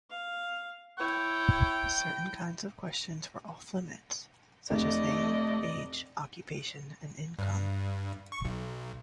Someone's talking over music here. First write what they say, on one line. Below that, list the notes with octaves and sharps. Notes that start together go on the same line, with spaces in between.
Certain kinds of questions were "off-limits", such as name, age, occupation, and income.
F5
E4 C#5 G5
F1 A3 D5 D#5
G2
C#6
B1